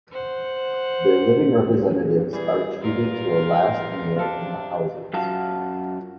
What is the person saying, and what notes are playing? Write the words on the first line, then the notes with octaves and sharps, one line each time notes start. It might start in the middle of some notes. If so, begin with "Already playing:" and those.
Their living representatives are treated to a last meal in the houses.
C5 F#5
E3 G3 G#4
E2 F4 A#4
C3 D4 F4 A4
F#2 F4 F#4 F5 A5